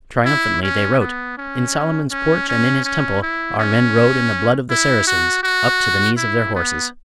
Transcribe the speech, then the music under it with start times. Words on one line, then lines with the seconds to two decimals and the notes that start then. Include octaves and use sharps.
Triumphantly they wrote "In Solomon's Porch and in his temple our men rode in the blood of the Saracens up to the knees of their horses."
0.25 E4
0.63 C#4
1.00 B3
1.37 C#4
2.11 C#4
2.48 C#4
2.85 C#4
3.22 E4
3.58 C#4
4.70 E4
5.07 F#4
5.43 F#4
6.17 E4
6.55 B3